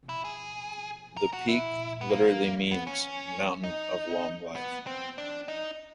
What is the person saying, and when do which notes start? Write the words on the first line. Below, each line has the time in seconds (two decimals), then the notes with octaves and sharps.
The peak literally means 'Mountain of long life'.
0.09 E4
0.25 G#4
1.17 A#4
1.33 F#4
1.48 E4
2.01 B3
2.10 A#3
2.72 B3
2.87 C#4
3.64 D#4
4.56 B3
4.87 C4
5.18 D4
5.48 D#4